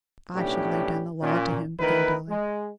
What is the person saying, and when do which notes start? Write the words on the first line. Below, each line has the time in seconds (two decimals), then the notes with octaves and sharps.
"I should lay down the law to him--" began Dolly.
0.34 B1 A2 B3 C#4 D4 G4
1.22 A#2 C#4
1.79 D2 D#3 E4 A#4 B4
2.29 G#3